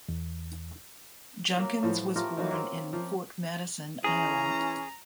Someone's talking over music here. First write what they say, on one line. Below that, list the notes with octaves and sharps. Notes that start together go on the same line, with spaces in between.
Junkins was born in Fort Madison, Iowa.
E2
F#3 A#3
A2 F3 B3
A3 F4 G4 A#4
D#3 F#3 A#3
A#3 C4 C#4
F3 A#3 E5
E3 C#4 G#4 A#5